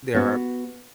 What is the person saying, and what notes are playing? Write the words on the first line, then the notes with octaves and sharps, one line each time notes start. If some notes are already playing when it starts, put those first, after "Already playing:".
there are
B3 F#4